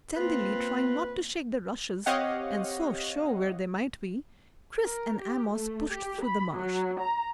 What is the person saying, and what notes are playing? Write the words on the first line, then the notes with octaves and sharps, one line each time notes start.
Stealthily, trying not to shake the rushes and so show where they might be, Chris and Amos pushed through the marsh.
A#3 C4 F4 B4
C4 G4 C#5 D#5 F5 F#5
A#4
G4
A3
G4
B5
F#3
A#5